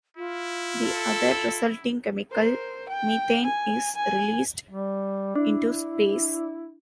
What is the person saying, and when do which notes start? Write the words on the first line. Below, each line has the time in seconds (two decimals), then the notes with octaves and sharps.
The other resulting chemical, methane, is released into space.
0.17 E4 F4
0.84 A4
2.31 A#4 C5
2.89 G5
3.45 G#5
3.96 G#5
4.71 G3
5.35 D4 E4